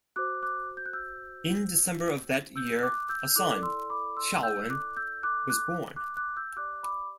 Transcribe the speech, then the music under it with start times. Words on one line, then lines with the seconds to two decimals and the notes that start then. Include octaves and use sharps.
In December of that year, a son, Hsiao-wen was born.
0.16 F#4 C5 D6 F#6
0.43 D6 F#6
0.77 G6
0.86 F#6
0.93 E6 G6
2.56 E6 G6
2.83 D6 F#6
3.09 E6 G6
3.36 E4 A4 D5 D6 F#6
3.62 C6 E6
3.90 B5 D6
4.17 C6 E6
4.43 E6 G6
4.69 D6 F#6
4.96 E6 G6
5.23 D6 F#6
5.49 D6 F#6
5.96 D6 F#6
6.17 D6 F#6
6.37 E6 G6
6.56 G4 D5 D6 F#6
6.83 B5 D6